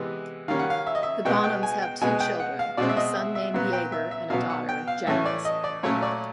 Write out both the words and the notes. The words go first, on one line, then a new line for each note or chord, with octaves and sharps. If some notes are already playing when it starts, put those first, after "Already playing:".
The Bonhams have two children: a son named Jager and a daughter, Jaz.
Already playing: C3 E3 G#3 B3
D#3 G3 A#3 C#4 F5
F#5
F5
E5
D#5
E5
B2 G#3 B3 G5
G5
G#5
G5
B2 G#3 B3 G#5
G5
F#5
F5
B2 G#3 C4 D5
E5
D#5
E5
E5
A#2 F#3 B3
G5
E5
E5
B2 F#3 B3 F5
F#5
G5
F5
A2 E3 A3 C#4 E5
D5
D#5
D5
A#2 F#3 A3 C#4 C#5
D5